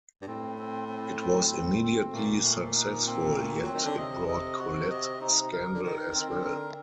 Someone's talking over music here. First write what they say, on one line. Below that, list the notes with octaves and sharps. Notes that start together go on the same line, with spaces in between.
It was immediately successful, yet it brought Colette scandal as well.
G2
A2 C4
C4
C4
C4
C4
C4
A#2 A3
A3
D#4
C4
A3
F#3 C4
D#3
D3
C3 D#5
D#5
F#4
D#5
D#4
A#4
D3
D#3 A#4
C4
D#3
D3
A#4